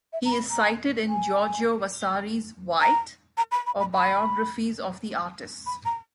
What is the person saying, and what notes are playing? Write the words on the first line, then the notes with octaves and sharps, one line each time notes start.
He is cited in Giorgio Vasari's "Vite" or biographies of the artists.
E5
A#5
B5
A#5
G#5
A#5
A#5
B5
B5
B5
B5
B5
A#5